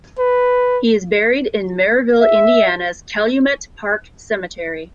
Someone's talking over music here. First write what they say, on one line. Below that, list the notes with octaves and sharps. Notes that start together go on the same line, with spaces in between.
He is buried in Merrillville, Indiana's Calumet Park Cemetery.
B4
E5